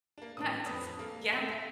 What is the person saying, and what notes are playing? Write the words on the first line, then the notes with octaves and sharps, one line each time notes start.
Nice. Yeah.
A#3 D4
A2 D#3 E3 D#6
F2 D4 B4 C5 D#6
A#3 A4 A#4
D#3 A3 C4
E5 F5 B6